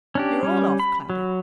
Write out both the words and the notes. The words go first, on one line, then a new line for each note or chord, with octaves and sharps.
You're all off, Cloudy.
C#4 D4 G4
G3 C#4
B5
F#3